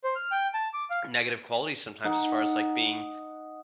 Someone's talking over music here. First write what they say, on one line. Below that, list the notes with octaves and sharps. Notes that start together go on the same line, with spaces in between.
negative qualities sometimes as far as, like, being
C5
F6
G5
A5
D6
F5
D#4 F#5